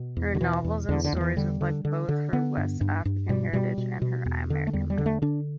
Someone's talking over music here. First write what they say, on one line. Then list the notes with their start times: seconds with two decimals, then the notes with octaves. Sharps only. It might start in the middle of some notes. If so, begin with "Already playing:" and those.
Her novels and stories reflect both her West African heritage and her American life.
Already playing: B2
0.17 E2
0.35 D3
0.40 B2 E3
0.64 E2
0.89 E2 D3
1.05 D3
1.13 E2 G3
1.21 E3
1.37 D3 G3
1.61 D3
1.85 D3
2.09 D3
2.33 D3 B3
2.57 G2
2.81 G2
3.05 G2
3.29 B2 G3
3.53 B2 G3
3.78 B2
4.02 B2
4.26 E2
4.50 D3
4.67 A3
4.73 E2 G3
4.90 G3
4.98 D3
5.06 A3
5.22 D3 D4